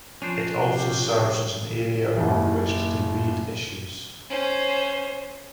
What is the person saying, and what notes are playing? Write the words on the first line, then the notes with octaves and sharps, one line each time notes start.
It also serves as an area on which to debate issues.
F3 C#4 D4 C5
G4
F#1 D#2 E4
C#4 C5